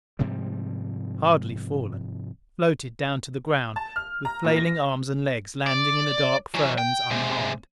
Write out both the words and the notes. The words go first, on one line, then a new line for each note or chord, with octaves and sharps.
Hardly fallen--floated down to the ground, with flailing arms and legs, landing in the dark ferns unharmed.
G#2 C3 F3 G3
A5
F6
A#5
A#2
A#6
D5
E3 F#3
G5
C3 G#3